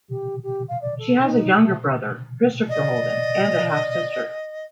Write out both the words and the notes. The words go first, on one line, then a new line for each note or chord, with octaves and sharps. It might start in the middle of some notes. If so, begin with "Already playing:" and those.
She has a younger brother, Christopher Holden, and a half-sister.
G4
G4
F5
D5
A4
D#4
A3
D5 D#5